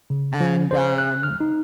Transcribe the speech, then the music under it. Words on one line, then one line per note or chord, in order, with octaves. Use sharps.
and, um
C#3
F3
C5
F#6
F6
D#4